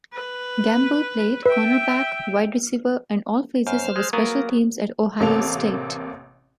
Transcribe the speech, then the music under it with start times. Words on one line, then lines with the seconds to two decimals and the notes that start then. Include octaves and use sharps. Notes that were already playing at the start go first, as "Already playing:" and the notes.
Gamble played cornerback, wide receiver, and all phases of special teams at Ohio State.
0.13 B4
1.46 B4 E5 G5
3.67 F#2 C5 F6
3.96 G#3
4.13 F#3 A#3 B3 G#4 A#4
5.20 A1 C3 A#3 A4 F7